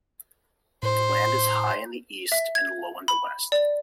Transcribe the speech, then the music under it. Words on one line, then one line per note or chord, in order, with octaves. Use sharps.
The land is high in the east and low in the west.
A2 C5
E5
G#6
B5
D5